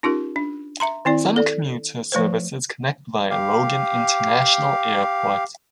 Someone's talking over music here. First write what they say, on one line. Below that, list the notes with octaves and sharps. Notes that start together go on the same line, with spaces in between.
Some commuter services connect via Logan International Airport.
C#4 D#4 F4 G4 A#4
D4
E5 A#5 C6
D#3 C4 E4 D5
A4 D5
F3 A3 B4 C5
G4 F5